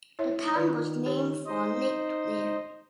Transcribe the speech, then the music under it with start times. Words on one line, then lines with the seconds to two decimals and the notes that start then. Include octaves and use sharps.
The town was named for Lake Tulare.
0.19 E4 C#5 E5
0.54 D#3 F4 B4 D5
1.06 G4 C#5
1.46 D#4 C5 D#5